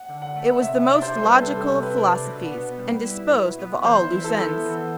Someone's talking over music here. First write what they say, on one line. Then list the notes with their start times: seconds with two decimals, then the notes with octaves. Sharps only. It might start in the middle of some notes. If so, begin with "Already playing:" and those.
It was the most logical of philosophies and disposed of all loose ends.
Already playing: F#5
0.09 D3
0.22 F#5
0.35 A3
0.62 C3 E5
0.83 D5
0.89 D4
1.02 C5
1.16 G3
1.23 B4
1.42 C3 A4
1.69 C3
1.83 B4
1.96 D4
2.24 B2
2.50 B3
2.78 G3
3.03 E4
3.31 B2
3.58 B3
3.84 E3 C5
4.11 E4
4.24 A4
4.38 B3
4.65 E3